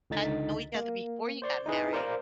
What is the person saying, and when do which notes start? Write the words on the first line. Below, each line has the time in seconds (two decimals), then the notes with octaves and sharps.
guys know each other before you got married?
0.10 C#2 D3 D#4 A6 B6
0.75 A#3
1.42 C5 D5 C6
1.66 D#4 E4 G#4 B4
1.93 A#4 C5 D5 F5 A#5